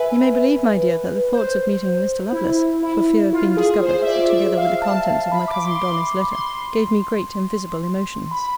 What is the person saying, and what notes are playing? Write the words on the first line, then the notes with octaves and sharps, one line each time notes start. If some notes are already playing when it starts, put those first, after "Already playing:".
You may believe, my dear, that the thoughts of meeting Mr. Lovelace, for fear of being discovered, together with the contents of my cousin Dolly's letter, gave me great and visible emotions.
Already playing: B4 E5 G#5
C5
E4
E4
F4
G#4
C5
E5
D5
E5
F5
A5
B5
D6
C6
C6
C6
B5